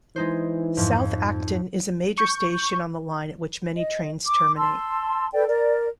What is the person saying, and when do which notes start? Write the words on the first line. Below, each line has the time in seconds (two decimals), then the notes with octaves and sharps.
South Acton is a major station on the line at which many trains terminate.
0.16 E3 G#3 D#4 C5
0.77 F2 G#2 F3
2.18 C#6 G6
3.75 D#5
4.27 D6
4.58 A5 C6 E6
5.33 A4 B4 D5 G5
5.47 A#4 D5